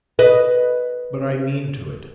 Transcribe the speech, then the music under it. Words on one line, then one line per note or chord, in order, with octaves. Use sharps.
But I mean to it.
B4 D#5